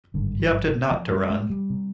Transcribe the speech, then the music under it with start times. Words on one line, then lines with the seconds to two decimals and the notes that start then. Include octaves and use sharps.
He opted not to run.
0.14 G#1 G2 D3
0.39 F3
0.91 F3
1.11 G3
1.30 G#3
1.50 G3
1.70 C3